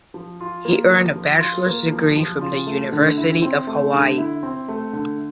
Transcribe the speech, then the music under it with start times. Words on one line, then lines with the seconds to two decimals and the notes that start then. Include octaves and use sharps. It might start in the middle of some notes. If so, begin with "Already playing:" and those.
He earned a bachelor's degree from the University of Hawaii.
0.14 F3
0.40 F4
0.65 A#3
0.90 F3
1.16 F3
1.40 F4
1.66 A#3
1.92 F3
2.16 F3
2.41 F4
2.67 A3
2.92 D3
3.17 E4
3.42 C4
3.67 A3
3.93 D3
4.18 E4
4.43 C4
4.68 A3
4.93 D3